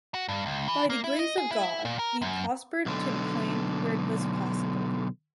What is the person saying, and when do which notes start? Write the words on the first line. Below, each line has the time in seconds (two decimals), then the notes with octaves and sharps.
By the grace of God we prospered to the point where it was possible.
0.14 F#4
0.28 G2
0.46 C#2
0.68 E3
0.90 A#3
1.04 E4
1.19 D#5
1.38 G#4
1.51 E4
1.85 A#2
1.99 A#4
2.22 F#2
2.86 B1 D3